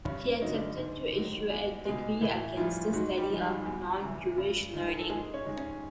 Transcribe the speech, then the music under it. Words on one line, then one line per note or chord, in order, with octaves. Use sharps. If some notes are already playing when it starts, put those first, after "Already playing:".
He attempted to issue a decree against the study of non-Jewish learning.
G2 C#4
C#4
D3 F#3 D#4
D3 D4
G#2
D#3 F#3
E2
B2 G#3
A2 E3 E4
E3 F3 G3 F4
G#2 F#3 F#4
G3 G4
F3 G#3
G3 G4
E2
C#3 E3
G2
D#3 G#3
A#4
A4
G#2 G#3 G#4
C#4 C#5
D#3 G#3
C#4 C#5